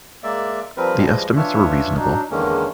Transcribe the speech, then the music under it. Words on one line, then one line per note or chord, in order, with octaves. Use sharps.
The estimates were reasonable.
G#3 A#3 D5 E5
F3 G3 C4 A#4 B4
E3 F3 G3 G#3 D#5
E3 D4 F4 C#5 E5
F#3 D4 D#4
E2 D3 D#3 G#3 A#3 C#4